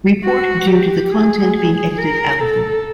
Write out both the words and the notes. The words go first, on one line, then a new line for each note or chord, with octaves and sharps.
Report due to the content being edited out of them.
F#4
G4
G#4
A#4
A4